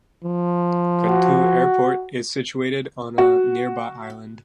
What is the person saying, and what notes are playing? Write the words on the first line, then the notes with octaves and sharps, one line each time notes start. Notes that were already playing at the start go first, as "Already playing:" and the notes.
Kadhdhoo Airport is situated on a nearby island.
F3
F#4
F#4